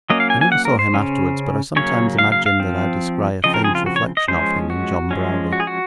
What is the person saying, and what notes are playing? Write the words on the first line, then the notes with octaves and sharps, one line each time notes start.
I never saw him afterwards, but I sometimes imagine that I descry a faint reflection of him in John Browdie.
F#3 A#3 C#4 D#5
F5
G#5
G#5
F#5
A#4
C5
C#3 G#3 C#4
C#3 F#3 A#3 C#4 C#5
F5
F5
F5
F3 C4
C#3 F3 C4 D#5
A#4
G#4
F4
F#4
C#5
D#5
F3 G#3 C#4 C5
F#4
F3 G#3 C#4
F#4
G#4
F#4